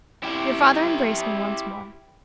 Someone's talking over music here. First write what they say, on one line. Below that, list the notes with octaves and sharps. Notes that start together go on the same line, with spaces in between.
Your father embraced me once more.
E4 G4